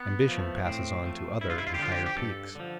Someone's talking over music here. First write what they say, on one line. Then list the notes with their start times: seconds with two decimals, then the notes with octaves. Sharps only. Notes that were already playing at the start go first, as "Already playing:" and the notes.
Ambition passes on to other and higher peaks.
Already playing: B3
0.28 F3 A3
0.65 A2 C4
1.04 F3 A3
1.41 G2 E4
1.50 F4
1.58 E4
1.67 F4
1.74 G4
1.79 D3 F3 F4
1.92 G4
2.06 G4
2.17 G2 A4
2.55 D3 F3